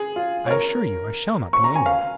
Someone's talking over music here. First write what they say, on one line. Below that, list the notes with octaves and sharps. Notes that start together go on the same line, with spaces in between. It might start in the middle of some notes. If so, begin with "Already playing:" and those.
"I assure you I shall not be angry with you."
Already playing: G#4
F4
C#5
A#4
C#6
A#5
G#5
F5